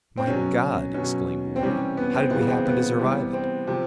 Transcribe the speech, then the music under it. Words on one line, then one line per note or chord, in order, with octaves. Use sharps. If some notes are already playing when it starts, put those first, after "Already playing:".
"My God," exclaimed Warner, "how did we happen to survive it!"
C4
B2 F#3 C#4
B2 F#3 C#4
C4
C3 E3 G3 C#4
B3
C4
C#3 E3 G3 B3
C4
B3
C3 E3 G3
C4
C3 F3